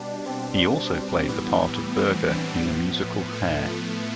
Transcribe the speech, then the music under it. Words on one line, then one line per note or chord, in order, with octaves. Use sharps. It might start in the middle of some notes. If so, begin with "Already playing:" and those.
He also played the part of Berger in the musical "Hair".
Already playing: B2 G3 D4
C4
A2 E3 G3 B3
B3
C4
D4
A2 F3 B3
A3
A3